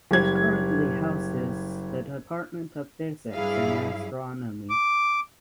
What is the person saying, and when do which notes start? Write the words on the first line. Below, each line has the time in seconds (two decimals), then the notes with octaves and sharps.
It currently houses the Department of Physics and Astronomy.
0.11 F#1 G3 G#6
3.34 G2 F#3 E4 G#4 F5
4.70 D6